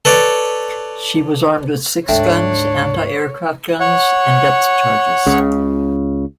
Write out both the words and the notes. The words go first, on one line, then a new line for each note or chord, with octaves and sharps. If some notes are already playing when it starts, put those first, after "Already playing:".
She was armed with six guns, anti-aircraft guns and depth charges.
A4 B4 C#5 D5
D2 G#2 D4 A4 C#5 E5 G5
C#5 F#5
C#2 C#3